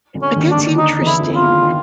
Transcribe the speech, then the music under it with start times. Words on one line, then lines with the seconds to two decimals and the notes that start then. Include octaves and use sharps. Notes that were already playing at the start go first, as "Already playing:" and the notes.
but that's interesting.
0.14 D2 D3
0.22 C#4
0.36 D#2 D#3
0.50 D3 D4
0.57 D#2 D#3
0.78 D#4
0.99 E2 E3
1.06 E4
1.20 F2 F3
1.35 F4
1.41 E2 E3
1.62 D#3